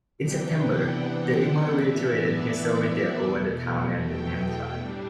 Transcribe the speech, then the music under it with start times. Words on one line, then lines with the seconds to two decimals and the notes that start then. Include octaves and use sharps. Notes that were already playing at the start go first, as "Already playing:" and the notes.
In September, the emir reiterated his sovereignty over the town and the Naim tribe.
0.21 C3 E3 B3 D4 G5
0.58 F#5
1.72 A2 E3 B3 D4 E5
2.10 D5
3.25 E2 B2 A3
4.01 G5
4.39 G5
4.78 A2 G3 D4